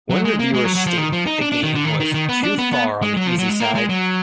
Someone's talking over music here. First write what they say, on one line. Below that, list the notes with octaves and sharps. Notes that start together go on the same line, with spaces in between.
One reviewer stated that the game was "too far on the easy side".
F#3
G#3
A#3
G#3
F#3
F#3
F3
D#3
F3
D#4
D4
D4
D#3
D3
D#3
D#3
D#3
B3
D4
B3
B3
G#3
F#3
F3
F#3
G#3
A#3
G#3
F#3